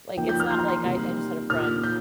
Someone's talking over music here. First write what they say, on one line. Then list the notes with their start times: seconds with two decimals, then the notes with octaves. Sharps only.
Like, it's not, like I I just had a friend,
0.17 F3 A#3 D#4 G5
0.29 G6
0.40 F6
0.50 C6
0.59 A#5
0.68 C6
0.84 C3 G3 A#3 D#4
1.50 A#2 A#3 D#4 F6
1.83 G6